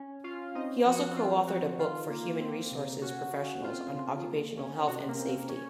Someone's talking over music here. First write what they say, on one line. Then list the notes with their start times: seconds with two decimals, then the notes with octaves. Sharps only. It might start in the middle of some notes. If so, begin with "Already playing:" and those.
He also co-authored a book for human resources professionals on occupational health and safety.
Already playing: C#4
0.24 C#4 F4 F5
0.55 C4 D#4 D#5
0.86 F3 F#4
1.16 C4 F4
1.47 C4 F#4
1.78 D#3 F4
2.10 A#3
2.41 C4
2.71 C3
3.02 C#4 F#4
3.33 C#4
3.64 C4 F4
3.95 C#3
4.26 A#3
4.57 C#4
4.87 C3 F#4
5.08 A#3 A#4
5.19 C4
5.29 A#3 A#4
5.49 A#3 C#4 C#5